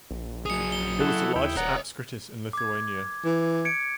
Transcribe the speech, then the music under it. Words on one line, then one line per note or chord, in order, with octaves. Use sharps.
It was the largest apskritis in Lithuania.
A#1
F#3 G#4 D#6 C#7
G7
E4 F#4 A4
D#2 E4 G5
D#1 C#5 D5 F#5 A#5
D6 G#6
E3
G#6 C#7 D7